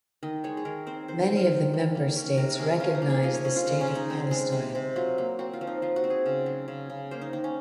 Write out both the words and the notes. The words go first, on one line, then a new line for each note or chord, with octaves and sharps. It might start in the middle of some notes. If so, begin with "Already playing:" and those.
Many of the member states recognise the State of Palestine.
D#3 D#5
G#3 C#5
G#4
D#3 A#4
C4 C5
D#3 C5
C5
D#3
A#4
D#3
D#3
A#3
C#4
C3 A#4
C#4 G#4 A#4
F3 F4
D#4
A#3
G#4
F3 D#5
C#5
C#4 G#4
F4
C#3 D#4
C#4
C#3
D#4
C4
G#3
C3
C3
F#3 F4
A#3
C4 F#4
F4
F3
D#4
F3 F4
F#4
C4
G#4
C#3
F#3
C#3
C#3
A#3 C5
D#4
D#3 D#4
C#4